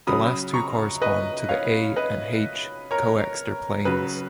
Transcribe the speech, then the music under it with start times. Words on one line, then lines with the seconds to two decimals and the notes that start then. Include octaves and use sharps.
The last two correspond to the A and H Coxeter planes.
0.07 C#3 F#3 B5 D#6
0.54 A#5 C#6
1.02 B4 D#5
1.49 C#5 F5
1.96 B4 D#5
2.91 A#4 C#5
3.85 C#3 F#3 B4